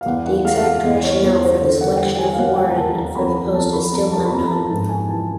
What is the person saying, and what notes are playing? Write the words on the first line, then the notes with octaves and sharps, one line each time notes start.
The exact rationale for the selection of Warren for the post is still unknown.
F5
E2 F#5
F#5
G#3 F5
F5
F#5
E2
C#5
E2 C#5
C5
D3 C5
F#5
G5
G3 F#5
G#5
F5
A#3 F#5
F#5
G5
A#5
D#2 A5
A#5
F2 B5
A#5
F2 A5
B5
F2 A#5
A5
B5
F2 A#5
A#5
A5
G#2 A5
G#5
E3 A5